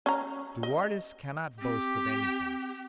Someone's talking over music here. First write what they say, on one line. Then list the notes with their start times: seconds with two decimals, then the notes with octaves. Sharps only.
"De Wardes cannot boast of anything."
0.06 C#4 A#5
0.63 D#5
1.61 C4 G4